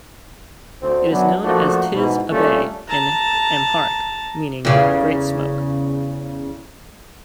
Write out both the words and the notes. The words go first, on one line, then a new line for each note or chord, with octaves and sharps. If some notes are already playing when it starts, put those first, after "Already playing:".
It is known as Tis Abay in Amharic, meaning "great smoke".
D2 C4
F#2 B3 D4
F3 A3 A#3 D4 F#4
G#2 B2 E3
G3 A3 A#3 C#4 D4 F4
A5 A#5
E2 C#3